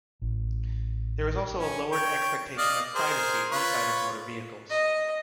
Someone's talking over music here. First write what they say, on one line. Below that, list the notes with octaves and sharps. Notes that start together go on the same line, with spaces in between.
There is also a lowered expectation of privacy inside of motor vehicles.
A1
C#4
C#5 G5
D5 D#5 F5
G#4 A#4 C5
F4 B4 C#5
D#5